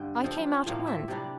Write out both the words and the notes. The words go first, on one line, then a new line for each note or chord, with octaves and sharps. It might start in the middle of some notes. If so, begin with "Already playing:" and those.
I came out at once.
Already playing: G2 D3 G5
F3 C4 F4
A2 F3 A#3 F5
E5
C3 G3 D4